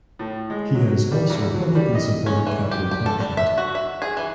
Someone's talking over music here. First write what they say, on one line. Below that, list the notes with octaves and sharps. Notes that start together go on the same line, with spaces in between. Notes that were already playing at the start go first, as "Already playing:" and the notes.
He has also publicly supported capital punishment.
A2
G#3
F#3
G3
E2
F#3
G3
D#5
C#4
E3
G4
G4
A4
G3
E5
F#4
E5
G#4
E3